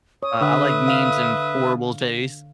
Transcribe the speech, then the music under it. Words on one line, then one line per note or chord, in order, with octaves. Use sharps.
Uh, I like memes in horrible taste.
C#5 D#6
D3 B4 E5
F5